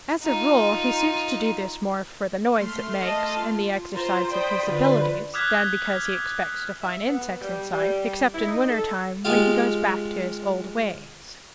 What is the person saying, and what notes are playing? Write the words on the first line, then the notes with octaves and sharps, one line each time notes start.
As a rule he seems to do this more for the noise it makes, and the exercise of his abilities, than because he expects to find insects inside; except in winter time, when he goes back to his old ways.
D#4 F4
A3 C6 F6
D#5 A5
F4
F4 C5 A#5 A6
C5 D5 G5 B5 D#6 B6
D3 F4 B4 C5
D6 D#6 F6 F#6 G#6 B6
E5
B3
G3
G3
E4
D#4
A4
G#3 F4 G4 F5